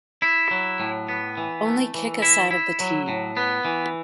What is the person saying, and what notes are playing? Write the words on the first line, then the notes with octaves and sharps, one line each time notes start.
Only kick us out of the team.
E4
F#3
A2
B3
E3
A3
E3
E4
E4
F#3
A2
B3
E3